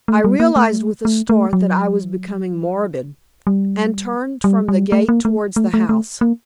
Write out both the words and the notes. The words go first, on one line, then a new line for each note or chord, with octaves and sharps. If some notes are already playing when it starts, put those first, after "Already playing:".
I realized with a start that I was becoming morbid, and turned from the gate towards the house.
A3
G3
A#3
A3
A3
A3
F#3
G3
G3
G3
A3
A#3
A3
A3
A3
A3
A#3